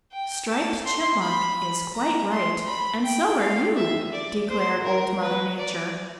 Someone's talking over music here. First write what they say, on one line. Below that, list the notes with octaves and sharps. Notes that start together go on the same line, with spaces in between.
"Striped Chipmunk is quite right and so are you," declared Old Mother Nature.
G5
A5
C6
B5
A#5
C6
B5
G5
F5
E5
D5
C5
A#4
B4
D5